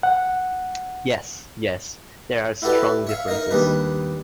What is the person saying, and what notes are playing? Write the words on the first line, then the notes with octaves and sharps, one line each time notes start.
Yes, yes, there are strong differences.
F#5
E4 F#4 G4 A4 B4 D5
C#5 E5 F5
D#4 A#4 C#5 D#5
D#2 G3 D4 B4